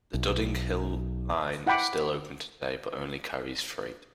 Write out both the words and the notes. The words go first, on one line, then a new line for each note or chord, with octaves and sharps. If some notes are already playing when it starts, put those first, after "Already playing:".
The Dudding Hill Line is still open today, but only carries freight.
B1
E4 F#5 G5 B5 D6